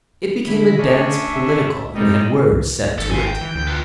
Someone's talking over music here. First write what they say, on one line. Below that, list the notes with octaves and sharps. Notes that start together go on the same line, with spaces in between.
It became a dance political, and had words set to it.
D3 E4 B5
A3 C#4 D4 D#5
E5
C3 G3 G#3 D#4
C2
G#1 A4
F5 G#5
G5
E3
D2
F4 B4